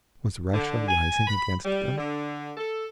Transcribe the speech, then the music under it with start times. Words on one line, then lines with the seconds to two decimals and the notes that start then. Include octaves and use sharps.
Was Russia rising against them?
0.53 D3
0.88 G#5
1.27 B5
1.64 G3
1.97 D3
2.57 A4